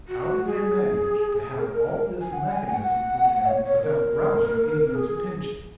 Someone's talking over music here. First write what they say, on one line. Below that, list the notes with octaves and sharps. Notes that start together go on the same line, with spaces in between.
How did they manage to have all this mechanism put in without rousing any one's attention?
F#4
G#4
A#4
G#5
F#5
G#5
F#5
C#5
C#5
A#4
G#4